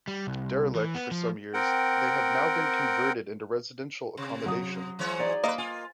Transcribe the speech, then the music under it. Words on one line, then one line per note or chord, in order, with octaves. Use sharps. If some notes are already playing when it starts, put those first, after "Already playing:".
Derelict for some years, they have now been converted into residential accommodation.
G3
C2
E3
B3
F3
C4 A#4 F#5 G5
C3
F#3 D#6
E3 G#3 C#5
D#4 G#4 D5
A#3 A4 B4 D#5
F4 G#5